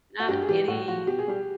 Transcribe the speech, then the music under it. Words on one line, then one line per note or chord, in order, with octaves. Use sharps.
not any,
F#4
G2 G4
G#4
E3 G3 G4
A2 F#4
F3 F#4
B2 G4
G#4
G3 G4